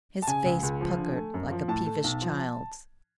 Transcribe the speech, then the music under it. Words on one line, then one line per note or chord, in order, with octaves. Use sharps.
His face puckered like a peevish child's.
A5
C#3 G#5
C#2
C#2
F3
D3
A3
F#2
F3
A2 A5
A3
B1
F3